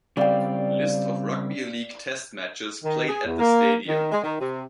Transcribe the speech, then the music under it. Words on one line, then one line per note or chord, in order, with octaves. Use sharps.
List of rugby league test matches played at the stadium.
C#3 G3 C4 D5 F5 G5
D#3
G#4
E2
A#3
D#3
G#3
D#3
C3